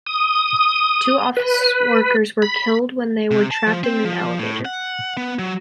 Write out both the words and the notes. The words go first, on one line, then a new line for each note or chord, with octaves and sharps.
Two office workers were killed when they were trapped in an elevator.
D#6
B4
B5
C3
A5
F3
C4
F3
A2
F#5
B3
F#3